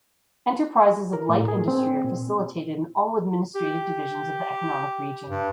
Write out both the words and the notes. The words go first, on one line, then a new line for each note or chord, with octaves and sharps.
Enterprises of light industry are facilitated in all administrative divisions of the economic region.
A#4
A2
G#4
C4
A#2
G4
G2